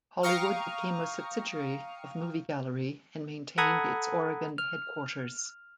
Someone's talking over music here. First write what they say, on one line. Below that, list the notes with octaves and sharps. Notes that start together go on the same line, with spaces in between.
Hollywood became a subsidiary of Movie Gallery and maintained its Oregon headquarters.
F5 G5 A#5 C#6 D#6 F6
A4 F#5 A#5 B5 D#6 G#6
F6